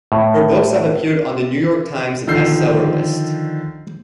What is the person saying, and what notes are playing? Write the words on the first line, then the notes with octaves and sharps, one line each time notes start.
Her books have appeared on the "New York Times" Best Seller list.
A2
D3 D#3 F3 E6 G6 C7